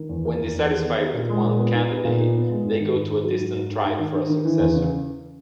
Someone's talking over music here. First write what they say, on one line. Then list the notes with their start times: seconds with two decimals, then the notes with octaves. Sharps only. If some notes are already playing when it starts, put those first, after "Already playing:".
When dissatisfied with one candidate, they go to a distant tribe for a successor.
Already playing: D#3
0.09 E2
0.25 A#3
0.40 E2
0.54 E2
0.69 D#3
0.84 B3
0.99 D#4
1.14 A#2
1.30 G#3
1.44 A#2
1.59 B3
1.74 D#4
1.90 B3
2.05 A#2
2.19 D#4
2.34 B3
2.50 G#3
2.65 G#2
2.80 D#3
2.95 G#2
3.10 G#2
3.24 F#3
3.39 G#2
3.54 G#2
3.69 G#2
3.85 G#2
3.99 D#3
4.15 D#3
4.29 D#3
4.45 E3
4.59 E2
4.75 C#3